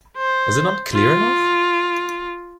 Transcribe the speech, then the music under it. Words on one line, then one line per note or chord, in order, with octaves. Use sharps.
Is it not clear enough?
C5
F4